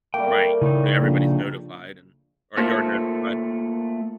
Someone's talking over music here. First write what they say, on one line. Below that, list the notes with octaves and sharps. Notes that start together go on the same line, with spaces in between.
right, where everybody's notified and or you're notified.
G3 A3 A#3 G5
A2 C#3 D#4
A#1
A3 A#3 F4 A4 A#4 C5